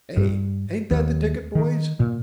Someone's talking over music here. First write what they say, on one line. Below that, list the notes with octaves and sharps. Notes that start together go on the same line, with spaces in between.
"Eh, ain't that the ticket, boys!"
G2
D#2
D#3
A#2